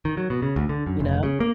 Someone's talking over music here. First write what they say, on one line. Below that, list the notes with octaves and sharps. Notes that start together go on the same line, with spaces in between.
You know?
D#3
F#3
B2
C#3
D2
D3
F#2
F1
C#3
A#3